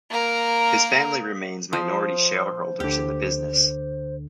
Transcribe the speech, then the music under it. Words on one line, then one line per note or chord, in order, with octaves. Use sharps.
His family remain minority shareholders in the business.
A#3 A#4
F3 C5 C6 D#6
D2 D3 G4